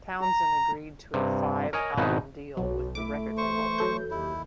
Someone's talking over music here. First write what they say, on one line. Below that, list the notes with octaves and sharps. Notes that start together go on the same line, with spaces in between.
Townsend agreed to a five-album deal with the record label.
A#5
G2 C3
A#4 C#5 D#5 G#5
G#1 B2 D#3 D#4 E4 B4
B1 F#3
A3 E4 D6
E3 C5 C#6
F#3 A4 G6
D#2 E4 G4